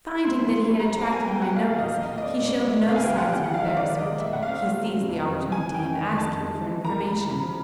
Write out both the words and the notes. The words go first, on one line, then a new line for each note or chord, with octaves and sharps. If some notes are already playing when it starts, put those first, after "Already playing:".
Finding that he had attracted my notice, he showed no signs of embarrassment--he seized the opportunity of asking for information.
A3 C6
F3
C6
F3
G3 B5
A#5
G3
C4 A5
B3 G#5
B3 G5
F#3 F#5
A#3 F5
A#2
D#5
F3
A#2 D#5
A3 D#5
D5
A#2
C#4 D5
G#3
E5
B2
D3 F5
G#5
G3 G5
G3 F#5
D#3 G5
F#5
G#3
F5
D#3 E5
D#3 D5
G#3
D#5
G#3
A#2 E5
A3 F#5
F5
C4
A3
F#3
C#3
F2
F3
C3
A3 G#5
E3
G5
C#4
D#3
F2
A5
F2
G#3
G#3
E3
A#3 A#5
G3
B5
E3
C#3 B5
F3